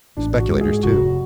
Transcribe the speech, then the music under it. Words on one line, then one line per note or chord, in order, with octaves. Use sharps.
Speculators, too.
A1 D4
F#4
G#2 G#3
G#4
F1 F#4